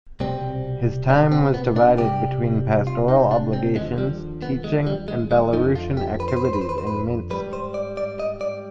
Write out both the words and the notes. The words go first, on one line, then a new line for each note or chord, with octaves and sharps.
His time was divided between pastoral obligations, teaching, and Belarusian activities in Minsk.
C2 B2 G3 C4
D4
C4
B3
D4
C2 C3 G3 G4
F4
D#4
D4
C4
D#2 D3 F3 G#3
G3
B3
G#3
G3
G#3
G#3
F2 D3 F3 D#4
F4
G4
B4
C5
B4
C5
B4
C5
B4
C5
B4
G#2 G3 B4
C5
D5
D5
D#5
D5